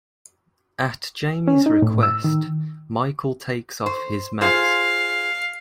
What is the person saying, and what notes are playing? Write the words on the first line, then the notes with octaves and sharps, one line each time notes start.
At Jamie's request, Michael takes off his mask.
C#4
D#4
A2
E6
D#3
C5
F4 G#4 C5 F5